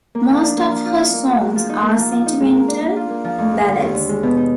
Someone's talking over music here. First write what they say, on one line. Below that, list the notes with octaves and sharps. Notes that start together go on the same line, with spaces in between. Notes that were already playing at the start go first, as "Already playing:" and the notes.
Most of her songs are sentimental ballads.
A#3
F3
D4
A#3
F3
F4
D#4
A#3
F#4
G#3
F3
D#4
A#3
F3
F4
D#4
G#3
A#4
D4
A#3
F4
A#3
F3
F2
G#3
D3
D#2
D4
G#3
B2
D#4